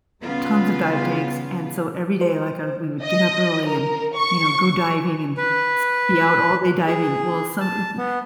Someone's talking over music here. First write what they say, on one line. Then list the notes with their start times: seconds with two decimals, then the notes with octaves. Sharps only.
tons of dive tanks, and so every day, like, uh, we would get up early and, you know, go diving and s be out all day diving. Well, some m m
0.22 C#3 G3 B3 F4
2.21 C5
3.02 D#5
3.66 A#4
4.15 C#6
5.37 B4
6.87 G#4
7.60 A5
7.98 B3